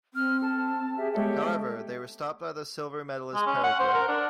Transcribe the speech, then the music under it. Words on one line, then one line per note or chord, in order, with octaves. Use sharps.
However, they were stopped by the silver medalist Paraguay.
C4 F6
A4 A5
G4 G#4 E5
G#3 B3 G4 A4 C#5 E5
G#3
C#4
F#5
C5
A#4
D4